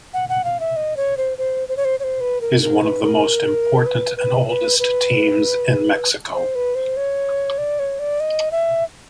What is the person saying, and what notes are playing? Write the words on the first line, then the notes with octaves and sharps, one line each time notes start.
Is one of the most important and oldest teams in Mexico.
F#5
F#5
F5
E5
D#5
C#5
C5
C5
C5
C#5
C5
C#5
C5
B4
A#4
A#4
B4
A#4
B4
B4
B4
B4
C5
B4
C5
C#5
D5
C#5
D5
D#5
E5